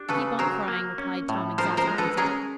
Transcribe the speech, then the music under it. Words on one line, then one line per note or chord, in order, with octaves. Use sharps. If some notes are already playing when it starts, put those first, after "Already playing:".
"Keep on crying," replied Tom exasperated.
Already playing: D4 G4
C#3 A4 B4
F#3 A#4 C5
A#3
C#4
A2
F3 A#4 C5
A#4 C5
G#3
A4 B4
C#4 G#4 A#4